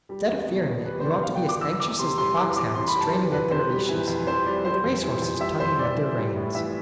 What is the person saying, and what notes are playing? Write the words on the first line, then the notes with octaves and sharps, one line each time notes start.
Instead of fearing it, you ought to be as anxious as the fox hounds straining at their leashes, or the race horses tugging at their reins.
G3
E2
B2
E2
G3 B4
C5
E2 D5
B2 F5
G5
E2
D6
E3 E6
E2 D6
C3 C6
G3 C6
E3 D6
E2 D6
C3 C6
B5
G3
A5
E3 A5
F2 B4
C3 C5
G3
E3
F2
C3 C5
G3 D5
G3 C5
F2
E3
F2
G3 E5
F2 C5
E3 D5
F2
G3
A2
E3 E5